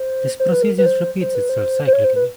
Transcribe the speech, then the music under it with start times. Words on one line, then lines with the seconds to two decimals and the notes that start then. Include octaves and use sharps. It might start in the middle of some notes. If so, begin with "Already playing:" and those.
This procedure repeats itself cyclically.
Already playing: C5
0.40 C5
0.52 B4
0.63 A#4
0.78 B4
0.86 C5
1.21 C5
1.35 B4
1.49 C5
1.87 C5
1.93 C#5
2.04 C5
2.16 B4